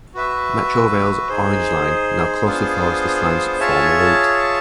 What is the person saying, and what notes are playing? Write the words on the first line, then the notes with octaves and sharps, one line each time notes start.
Metrorail's Orange Line now closely follows this line's former route.
F#4 B4 E5
D#4 G#4 C5
B3 D4 F4 G#4 C5
F4 G#4 C#5 E5 A5